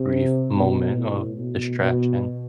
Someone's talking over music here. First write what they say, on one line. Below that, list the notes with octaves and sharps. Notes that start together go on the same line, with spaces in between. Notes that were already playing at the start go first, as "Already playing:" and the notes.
brief moment of distraction.
Already playing: C3
B2
A2
B2
B2